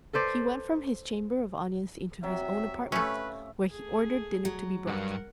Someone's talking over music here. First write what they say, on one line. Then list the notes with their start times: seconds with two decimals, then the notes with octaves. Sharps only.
He went from his chamber of audience into his own apartment, where he ordered dinner to be brought.
0.13 A4 B4 C5 D5
2.23 C3 F#3 E5
2.92 A3 C#4 B4 E5 F5
3.71 A3 G#4
4.45 F#3
4.87 G2 A#4 F#5